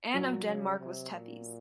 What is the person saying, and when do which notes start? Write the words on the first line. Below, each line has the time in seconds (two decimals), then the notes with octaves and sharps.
Anne of Denmark was Tethys.
0.14 A#2 F#3
0.46 C#3
0.79 C3
1.12 A#2